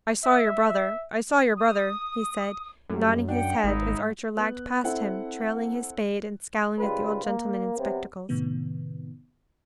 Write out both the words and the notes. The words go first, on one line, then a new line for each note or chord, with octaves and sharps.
"I saw your brother--I saw your brother," he said, nodding his head, as Archer lagged past him, trailing his spade, and scowling at the old gentleman in spectacles.
E5
D#6
F#2 G3 A3
D4 F#5 G5
G#1 G#2 D#4 E4
B3 F#6
C4 E4 A4 F#5
G#2 C#3 G3 G#3 F4 B4
A#3
C3 F#3 B3
A2 C3 D#3 B3